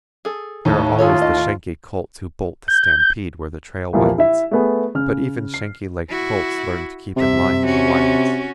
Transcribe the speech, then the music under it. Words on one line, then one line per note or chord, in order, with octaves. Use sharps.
There are always the shanky colts who bolt to stampede where the trail widens; but even shanky-legged colts learn to keep in line in the wilds.
G#4 A4
D#2 A2
F4 G#4 A4 C#5
D#5
G6
C2 A#2 E3 F3 A#3
E4 E5
A3 B3 G#4
C#3 F6
C7
E4 F#4
G2 C3 E5
C#4 F#4